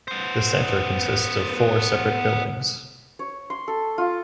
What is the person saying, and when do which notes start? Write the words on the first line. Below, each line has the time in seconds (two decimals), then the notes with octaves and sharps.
The centre consists of four separate buildings.
0.08 B3 C5
3.19 C#5
3.50 C6
3.68 A4
3.98 F4